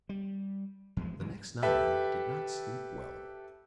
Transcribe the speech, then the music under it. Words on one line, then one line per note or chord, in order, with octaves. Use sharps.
'The next night I did not sleep well.
G3
E2 F3 G#3
C#2 F#2 E3
G4 A4 B4 E5